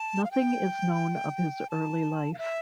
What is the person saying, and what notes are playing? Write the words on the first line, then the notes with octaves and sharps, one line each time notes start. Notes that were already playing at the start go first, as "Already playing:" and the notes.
Nothing is known of his early life.
Already playing: A5
F5
G5
A5
F5
E5